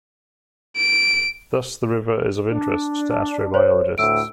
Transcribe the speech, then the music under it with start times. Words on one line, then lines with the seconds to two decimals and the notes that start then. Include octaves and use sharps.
Thus the river is of interest to astrobiologists.
0.77 D7
2.51 D4
3.54 C5 C#5
3.98 D2 A2 E6 D7